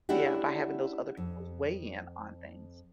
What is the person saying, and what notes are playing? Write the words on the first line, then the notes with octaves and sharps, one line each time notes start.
yeah, by having those other peoples weigh in on things.
A3 C#4 D4 E4 F#4 G4
F2